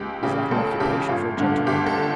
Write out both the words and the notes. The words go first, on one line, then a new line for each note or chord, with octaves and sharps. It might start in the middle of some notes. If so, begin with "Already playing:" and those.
Is that an occupation for a gentleman?
Already playing: C#2 G4
C#3 E3 G4
C#2 A4
C#3 E3 G4
G1 F4
G2 D3
G1 G4
A4
D3